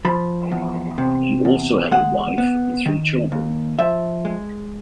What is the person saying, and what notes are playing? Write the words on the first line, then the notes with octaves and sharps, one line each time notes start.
He also had a wife and three children.
F3 B5
E2
C3
E2
G#3 F#5
B3
D#3
D#2
F3 E5
G#3